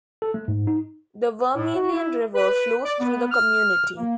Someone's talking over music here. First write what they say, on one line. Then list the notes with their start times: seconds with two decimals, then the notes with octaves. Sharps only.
The Vermillion River flows through the community.
0.22 A4
0.34 A3
0.48 G#2
0.67 D#4
1.56 A2
1.75 F#4
1.93 E4
2.34 B4
2.85 D5
3.00 B3
3.32 F6
3.97 A#3